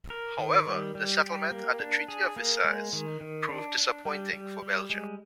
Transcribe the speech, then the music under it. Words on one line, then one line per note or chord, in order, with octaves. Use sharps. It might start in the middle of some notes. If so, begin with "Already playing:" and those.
However, the settlement at the Treaty of Versailles proved disappointing for Belgium.
A#4
D#3
G3
G3
G4
A#3
D4
G#4
A#3
G#3
D#3
D#3
D4
D4
G3
G3
G3
G#3